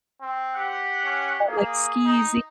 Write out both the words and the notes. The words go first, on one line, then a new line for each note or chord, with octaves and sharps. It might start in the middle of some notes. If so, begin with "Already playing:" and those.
like, skeezy.
C4
G4 F#5
C#4
A#3 G#4
D#4